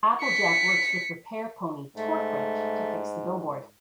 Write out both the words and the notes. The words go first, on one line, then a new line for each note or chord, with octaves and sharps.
Applejack works with repair pony Torque Wrench to fix the billboard.
B6 C#7
G#2 A3